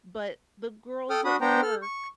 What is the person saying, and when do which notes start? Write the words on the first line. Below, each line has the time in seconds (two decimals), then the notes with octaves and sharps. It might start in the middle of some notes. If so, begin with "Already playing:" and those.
But the girls at work
1.10 A4 G5 D#6 F6
1.25 D4 F#4 B5 D#6
1.41 B3 D4 C5 G5 A#5
1.62 A4 F6
1.82 C#6